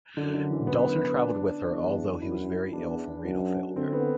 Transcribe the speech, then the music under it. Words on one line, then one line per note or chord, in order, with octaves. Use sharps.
Dalton traveled with her, although he was very ill from renal failure.
F#2 D3
D3
E3
B3
D4
E2
F#2 E4
E2 D4
F#2
D3 C4
B3